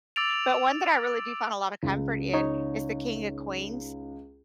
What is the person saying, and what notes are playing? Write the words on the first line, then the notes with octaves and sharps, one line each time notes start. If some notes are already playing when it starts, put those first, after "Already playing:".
But one that I really do find a lotta comfort in is the King of Queens.
D6 E6 A6 D7 F7
C#2
D#4 C#5